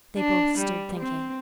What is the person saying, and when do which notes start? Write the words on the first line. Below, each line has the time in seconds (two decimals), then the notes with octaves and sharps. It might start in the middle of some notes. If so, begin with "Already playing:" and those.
They both stood thinking.
0.18 D4
0.58 G3
1.00 C4